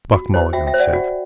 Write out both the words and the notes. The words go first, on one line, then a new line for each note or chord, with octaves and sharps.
Buck Mulligan said.
F#4
C5
F#4 E5 G5
E5 G5
C5
D5 F#5
F#4